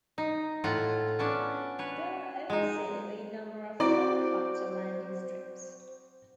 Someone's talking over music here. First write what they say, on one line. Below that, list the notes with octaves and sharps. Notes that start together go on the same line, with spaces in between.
There are also a number of helicopter landing strips.
D#4
A2 F4 F#5
B3 C#4 D4
B4 C#5
G#3 D#4
C4 E4 F#4 C5 D5